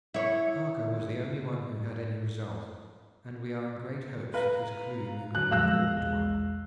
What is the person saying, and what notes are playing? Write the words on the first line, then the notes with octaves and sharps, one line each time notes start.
Harker was the only one who had any result, and we are in great hopes that his clue may be an important one.
E4 C#5
B4 F5 A#5
D3 F#3 F#6
F2 G#3 F5 E6 F#6 A#6
B1 E2 G#3